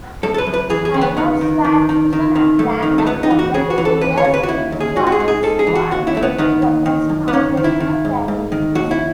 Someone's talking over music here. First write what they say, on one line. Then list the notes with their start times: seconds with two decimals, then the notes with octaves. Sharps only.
Pilots were chosen at random from the various squadrons to accurately represent operational capabilities.
0.23 F#2 A4
0.34 A4
0.38 B4
0.47 F#2
0.54 B4
0.70 E3 G#4
0.85 G#4
0.94 C#3
1.01 B3
1.17 D#3 B3
1.41 D#3
1.64 D#3
1.89 D#3
2.13 D#3
2.36 D#3
2.59 F#2 A3
2.83 D#3
2.98 A3
3.06 C#2 B3
3.23 D#4
3.31 E3
3.39 F#4
3.54 C#3 G#4
3.70 F#4
3.78 E3
3.85 A4
4.01 D#2 B4
4.17 C#5
4.25 C#3
4.34 B4
4.43 F#4
4.49 D#2 E4
4.72 D#2
4.80 G#4
4.96 G#2 F#4
5.07 F#4
5.12 G#4
5.20 G#2
5.28 G#4
5.43 G#2 A4
5.59 G#4
5.67 E3
5.75 F#4
5.91 D#2 F#4
6.07 E4
6.15 D#2 A3
6.23 B3
6.38 D#3 B3
6.62 D#2
6.86 D#3
7.09 F#2
7.28 B3
7.33 D#3 C#4
7.57 D#3
7.64 E4
7.80 D#3
8.05 G#2
8.28 G#2
8.52 D#3
8.75 D#2 F#4
8.91 E4